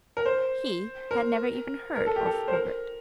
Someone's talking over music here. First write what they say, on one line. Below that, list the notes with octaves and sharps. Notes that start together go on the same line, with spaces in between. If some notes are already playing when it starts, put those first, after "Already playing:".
He had never even heard of Herbert.
A#4
C5
A#4
A#4
A4
G4
A4
C5
A#4